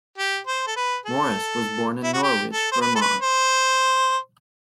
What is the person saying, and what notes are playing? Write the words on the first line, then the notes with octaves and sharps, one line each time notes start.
Morris was born in Norwich, Vermont.
G4
C5
A4
B4
A4
E4
F#4
G4
A4
C5
B4
A4
B4
C5